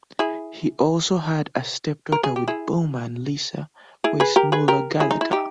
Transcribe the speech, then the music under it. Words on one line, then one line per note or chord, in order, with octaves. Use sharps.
He also had a stepdaughter with Baumann, Lisa Weissmuller-Gallagher.
E4 G#4
A#4
G#4
G4
E4 G#4
E4 G#4
G#4 B4
G4 A#4
G#4 B4
G4 A#4
E4 G#4
D#4
E4
D#4 G4